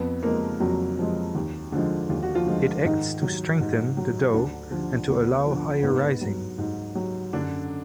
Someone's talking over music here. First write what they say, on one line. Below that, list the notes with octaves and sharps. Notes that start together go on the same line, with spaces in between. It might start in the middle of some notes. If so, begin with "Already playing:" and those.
It acts to strengthen the dough and to allow higher rising.
Already playing: F2 B3 B4
F3 G#3 A#3 A#4
F2 F#3 F#4
F3 G#3
D#2
D3 F3 G#3
D#2 F4
F#4
F3 F4
D3 F3 G#3
G#2 D#3 D#4
F#3
G#2
F#3
D2 D3 D4
D3 F3
D2 B3
D3 F3
G#2 B3
F#3
G#2
F#3
F#2 D3 D4